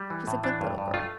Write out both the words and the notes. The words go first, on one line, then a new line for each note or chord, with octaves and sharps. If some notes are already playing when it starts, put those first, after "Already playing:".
She's a good little girl.'
Already playing: G3
E3
A2
E3 D4
G2
G2
A3 F4